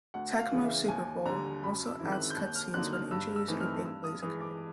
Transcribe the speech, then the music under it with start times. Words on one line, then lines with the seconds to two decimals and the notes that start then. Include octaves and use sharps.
"Tecmo Super Bowl" also adds cut scenes when injuries or big plays occurred.
0.14 D2 F#5
0.39 F5
0.51 C#3 E3
0.64 E5
0.88 D#2 G#5
1.25 D3 G3 A#5
1.63 F#2 B5
1.87 E6
2.00 D#3 G#3 C4 E4
2.12 F#6
2.30 G6
2.37 D#2 F#6
2.55 F6
2.74 D3 F#3 A#3 D#4 F#6
2.93 F6
3.11 G2 E6
3.36 E6
3.48 E3 A3 C4 D#4
3.60 F6
3.85 G2 E6
4.04 D#6
4.22 E3 G#3 D#6
4.41 D6